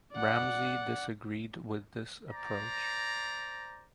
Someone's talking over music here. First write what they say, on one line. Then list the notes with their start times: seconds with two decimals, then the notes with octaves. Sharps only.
Ramsey disagreed with this approach.
0.13 D5 F#5
2.29 C5 D5 A#5